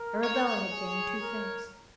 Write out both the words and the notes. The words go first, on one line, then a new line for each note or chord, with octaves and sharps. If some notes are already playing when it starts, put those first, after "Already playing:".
Arabella had gained two things.
Already playing: A#4
C#5
G#4
A#4